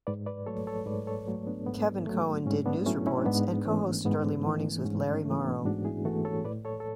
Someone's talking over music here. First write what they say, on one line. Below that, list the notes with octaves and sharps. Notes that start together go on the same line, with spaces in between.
Kevin Coan did news reports and co-hosted early mornings with Larry Morrow.
G#2 B4 D5
B4 D5
F#3 A3 A4 C#5
A4 C#5
G#2 B4 D5
A4 C#5
F#3 A3
B3 D4
G#2 B3
F#3 A3
G#2 C#4
B3 D4
F#3 A3 C#4 E4
C#4 E4
G#2 B3 D4
E3 A3 C#4
G#2 B3
E3 A3
G#2 C#4
C#4
E3 A3
B3 D4
G#2 D4 F#4
E4 G#4
E3 A3 F#4 A4
A4 C#5
A2 B4 D5
A4 C#5
A4